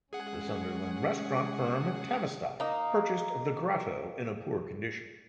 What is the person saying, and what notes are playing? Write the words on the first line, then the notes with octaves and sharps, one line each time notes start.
The Sunderland restaurant firm, Tavistock, purchased The Grotto in a poor condition.
G#3 C#4 G#4 F#5
A#3 D#4